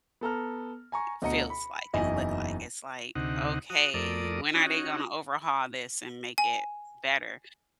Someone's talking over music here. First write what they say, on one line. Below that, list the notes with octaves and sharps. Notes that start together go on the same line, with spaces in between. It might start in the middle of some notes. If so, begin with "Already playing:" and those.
feels like and look like. It's like, "Okay, when are they gonna overhaul this and make it better?"
B3 A4 A#5 F6
G#5 A#5 C#6
D2 B2 D#5 A#5 C#7
B5
F#1 E2 D#4 E4 D#5 G#5
D2 C3 D#4 F#5
F#4 D#6
F2 A3 A#4 D5 D#6
C#4 D#4 F#4
G#5